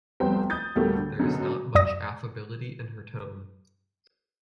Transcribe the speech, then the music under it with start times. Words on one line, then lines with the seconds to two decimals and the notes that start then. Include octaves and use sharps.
There is not much affability in her tone.
0.20 F1 C2 G3 B3 C5 G5
0.50 D#6 G6 A6
0.75 D2 A2 G3 A3 A#3
0.97 D3
1.19 F#2 B2 D3
1.75 F#2 D5 D#6 A#6